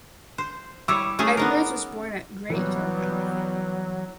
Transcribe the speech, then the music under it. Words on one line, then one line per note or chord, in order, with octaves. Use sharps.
Edwards was born at Great Yarmouth.
C5
G3 E4 C#5 D6 E6
A3 C#4 G#4
B3 D#4 A#4
E3 F#3 G3 B3